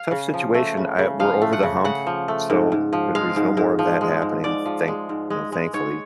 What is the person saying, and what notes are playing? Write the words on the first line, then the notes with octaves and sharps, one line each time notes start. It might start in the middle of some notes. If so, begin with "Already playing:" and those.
tough situation, I we're over the hump, so there there's no more of that happening, thank you know, thankfully.
Already playing: F5
C#3
F3
A3
C#3
C#3
F3 F5
A3
F#5
C#3
C#3 F#5
F3
A3
G#2
G#2
F3
G#3 F5
G#2
G#2
F3
G#3
G#2
G#2 D5
F3
G#3
G#2
G#3
G#3
G#2 C#5